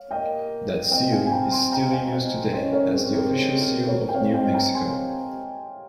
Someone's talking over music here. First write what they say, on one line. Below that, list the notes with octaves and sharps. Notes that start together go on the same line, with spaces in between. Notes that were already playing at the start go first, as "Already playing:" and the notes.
That seal is still in use today as the official seal of New Mexico.
Already playing: C#5 F5
A#3 D#5 G5
C4 D#5 G5
F5 G#5
G#5
G5 A#5
G#5 C6
G5 A#5
F5 G#5
C5 D#5
C#4 C5 D#5
A#4 C#5
C4 G#4 C5
G4 A#4
G#4
G4 A#4
A#4 C#5
G5
C4 C#5 F5
D#5 G5
G5 A#5
G#5 C6